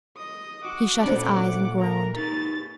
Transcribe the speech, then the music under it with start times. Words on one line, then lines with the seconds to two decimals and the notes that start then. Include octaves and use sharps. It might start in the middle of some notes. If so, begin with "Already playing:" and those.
He shut his eyes and groaned.
0.17 D#5 D#6
0.65 F#4 F#5 D6
1.03 A#2 C#4 D4 A4 C5 D5
1.78 A#4 A#5
2.17 D#4 G4 G#4 A6